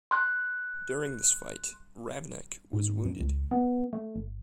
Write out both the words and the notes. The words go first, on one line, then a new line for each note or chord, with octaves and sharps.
During this fight Raveneck was wounded.
C6 F#6
G#2
F#2
C#2
B3
A3
G1